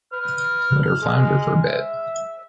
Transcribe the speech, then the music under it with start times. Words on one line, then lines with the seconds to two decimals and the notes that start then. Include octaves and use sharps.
Let her flounder for a bit.
0.13 B4 F6
1.01 G#3
1.67 E5